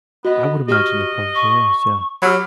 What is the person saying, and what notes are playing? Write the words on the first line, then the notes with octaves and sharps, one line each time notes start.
I would imagine there probably is, yeah.
B3 F#4 D#5
F#4 G4 D#5 F6
C#6
F#3 G4 B5 E6 F6